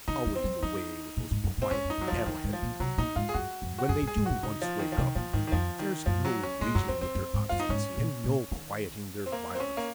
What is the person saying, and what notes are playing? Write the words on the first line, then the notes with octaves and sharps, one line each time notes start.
It's always the way with those quiet addle-headed men: when they do once wake up, there's no reasoning with their obstinacy, and no quieting their violence.
D#3 D#4
D#3
C4
F#3
F3 D#4
A#2
G#2
F#2
A#2
C4
G#2 C#4
F#2
D#4
F#2
F#3
F2 F3
F#2 D#3
G#2
F3
A#2
C3 F#3
A#2 D#4
G#2 F4
G#4
F#2 F#4
F2
F#4
F#2 G#4
G#2
G#4
G#2
A#2 F#4
C#3 D#4
F3
D#3
F3
C3 D#3
A#2 F3
G#2 D#3
D#3
F2 F3
D#3
F#2 F3
F#3
C#4
G#2 G#3
F#2 F#3
F2 C4
F2 C4
F#2
G#2
F#2 F4
D#4
G#2 C#4
A#2
A#2
D#3
C4
A#3
C4
C#4
A#3